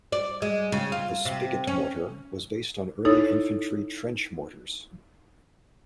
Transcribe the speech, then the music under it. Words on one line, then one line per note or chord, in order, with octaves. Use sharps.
The spigot mortar was based on early infantry trench mortars.
D5
G#3
C#3
F4
C3
C#4
D#4 E4 A4 C#5